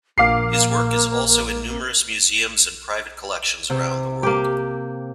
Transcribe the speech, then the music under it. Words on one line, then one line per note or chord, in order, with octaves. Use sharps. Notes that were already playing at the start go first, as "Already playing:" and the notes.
His work is also in numerous museums and private collections around the world.
A#1 A#3 F5 D6 C7
C3
A#3 G4